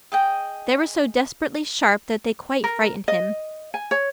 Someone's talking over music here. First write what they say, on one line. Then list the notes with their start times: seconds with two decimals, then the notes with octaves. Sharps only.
They were so desperately sharp, that they quite frightened him.
0.12 G#4 D#5 G5
2.64 A#4
3.08 D#5
3.74 G#5
3.91 C#5